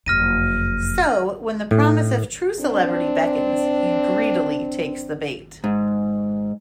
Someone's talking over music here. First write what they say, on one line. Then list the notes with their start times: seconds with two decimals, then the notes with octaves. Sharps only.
So when the promise of true celebrity beckons, he greedily takes the bait.
0.06 F#1 F2 F6 A#6 D#7
1.71 A2
2.60 C4 D4
5.64 G#2